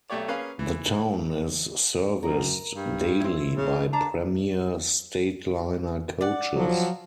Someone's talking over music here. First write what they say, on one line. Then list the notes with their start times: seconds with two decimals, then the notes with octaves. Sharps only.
The town is serviced daily by Premier Stateliner coaches.
0.10 B1 A3 G4 C#5 D5
0.28 A#3 C#4 G#4 B4 F5
0.59 E3
2.23 F#2 A#4
2.73 G2
3.20 C4 E4
3.57 C#3
3.93 D4 A#5
6.21 D5 F#5
6.55 F3 F#3